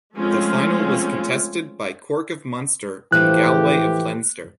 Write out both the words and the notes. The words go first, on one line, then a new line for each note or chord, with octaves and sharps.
The final was contested by Cork of Munster and Galway of Leinster.
F3 G#3 A3 C4 C#4 F4
A2 E3 F3 A3 G4 F#6